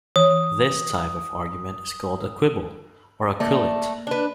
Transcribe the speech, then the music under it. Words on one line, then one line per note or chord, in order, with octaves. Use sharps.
This type of argument is called a "quibble" or "quillet".
E3 C#5 D#6
A3 A#3 D5
D4 B4